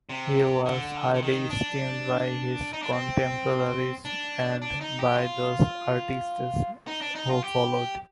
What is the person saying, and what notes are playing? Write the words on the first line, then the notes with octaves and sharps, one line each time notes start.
He was highly esteemed by his contemporaries and by those artists who followed.
C3
D3
D3
D#3
D4
D#4
D4
C4
D4
D4
D#4
G4
F4
D#4
D4
D#4
F4
G4